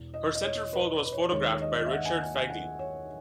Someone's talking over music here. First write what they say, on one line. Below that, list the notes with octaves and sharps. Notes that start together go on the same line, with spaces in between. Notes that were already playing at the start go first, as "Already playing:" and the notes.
Her centerfold was photographed by Richard Fegley.
Already playing: E1 E2
D#5
D#5
C#5
B4
B4
C#5
D#2 D#3 G#3 C#5
D#5
D#5
E5
F#5
G#5
G#5
G#5
F#5
C#5